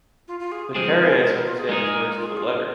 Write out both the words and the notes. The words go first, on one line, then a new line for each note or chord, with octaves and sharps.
The Karaites understand these words to the letter.
F4
F4
G#4
F3 G#3 C4 G#4 C5
C5
A#4
F4
G#4
G#3 D#4 G#4 A#4
F4
G#4
F4